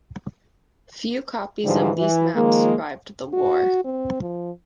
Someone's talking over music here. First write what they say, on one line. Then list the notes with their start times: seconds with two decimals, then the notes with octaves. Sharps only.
Few copies of these maps survived the war.
1.64 G#2 D3 E3 F3 G3
1.97 E3
2.36 D#3 F3 G#3 A#3
3.33 F#4
3.84 C4
4.22 F3